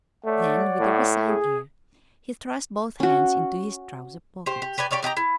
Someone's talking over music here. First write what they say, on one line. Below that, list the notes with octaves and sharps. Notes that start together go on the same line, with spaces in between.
Then, with a resigned air, he thrust both hands into his trousers pockets.
A3 C#5 D5 F#5
A2
G#4
C#4 F#4
G4 C5
G4
G4 B4 D5 G#5
G4 C#5 D5 F5
D#4 G4 G#5 A#5
E4